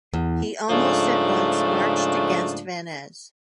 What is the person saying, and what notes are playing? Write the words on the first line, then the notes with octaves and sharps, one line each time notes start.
He almost at once marched against Vannes.
E2
G#2 C#3 F3 A3 D4